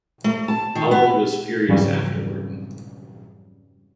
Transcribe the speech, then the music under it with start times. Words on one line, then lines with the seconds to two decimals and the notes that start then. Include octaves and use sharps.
Holland was furious afterward.
0.24 A3
0.48 A5
0.75 D#3
0.91 B3
1.68 F2 G#2 C#3 E3 F#3 G3